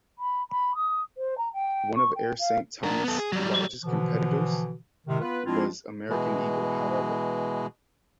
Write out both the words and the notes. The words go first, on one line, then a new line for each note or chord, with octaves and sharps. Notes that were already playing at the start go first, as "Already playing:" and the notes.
One of Air Saint Thomas largest competitors was American Eagle, however.
B5
B5
D#6
C5
A#5
G5
C#6
G5
F5
D4 A#4
B3 A4
G#4
F#3 G3
B2 D3 E3 F3
A2 C3 D#3 G#3
B3 F4 B4
F3 G#3 C4 D4 E4 F4
B2 E3 G#3